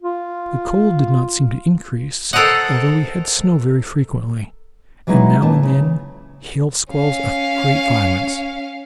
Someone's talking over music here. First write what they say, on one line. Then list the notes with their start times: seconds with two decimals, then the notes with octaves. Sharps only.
The cold did not seem to increase, although we had snow very frequently, and now and then hail squalls of great violence.
0.03 F4
2.33 A4 A#4 C5 D#5 F#5
5.07 E3 F#3 G#3 D#4 E4
5.42 E2 A#2 E3 C#4 A5
5.63 C#3
6.93 C#4 F5